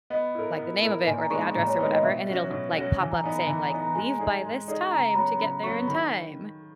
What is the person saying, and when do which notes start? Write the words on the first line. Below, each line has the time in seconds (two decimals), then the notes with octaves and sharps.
like the name of it, or the address or whatever, and it'll like pop up saying like, "Leave by this time to get there in time."
0.10 B3 D#5
0.35 E4 A#4
0.59 B3
0.82 E4 A#4
1.07 A#2 G#5
1.19 A#5
1.30 G#3 B3 D#4 C#6
1.55 A#2 A#5
1.67 C#5
1.79 G#3 B3 D#4 B4
1.91 D#5
2.03 B2 E5
2.27 F#3 C#4 F#4
2.50 B2
2.76 F#3 C#4 F#4
2.99 E3 G#5
3.11 A#5
3.22 B3 D#4 G#5
3.35 A#5
3.47 E3 G#5
3.59 A#5
3.71 B3 D#4 G#5
3.83 A#5
3.95 G#3 G#5
4.06 A#5
4.18 D#4 G#4 G#5
4.43 G#3
4.68 D#4 G#4
4.91 C#3 A#5
5.10 A#5
5.15 F#3 B3 B5
5.39 C#3 B5
5.63 F#3 B3 C#6
5.87 D#3 B5